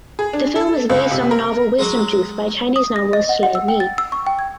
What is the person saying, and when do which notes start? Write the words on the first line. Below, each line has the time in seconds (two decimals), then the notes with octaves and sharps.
The film is based on the novel "Wisdom Tooth" by Chinese novelist Lei Mi.
0.19 G#4
0.33 D4
0.56 A4
0.89 C#2
1.11 C3
1.31 A#4
1.79 F#3 G#3
2.76 D#6
2.96 A#6
3.13 D#5
3.29 F#5
3.43 F#5
3.55 E6
3.68 G5
3.80 A6
3.98 E6
4.12 C#6
4.27 G5
4.39 G#6